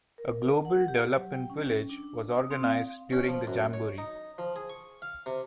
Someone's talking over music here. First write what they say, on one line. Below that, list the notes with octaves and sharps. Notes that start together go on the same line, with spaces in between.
A Global Development Village was organized during the jamboree.
A#4
F#5
G4
F#3
G5
C#4
D4
D#6
C4
F5
C#4
F3
F#2
C#5
D#4
F3
G#4
C#6
F5
C3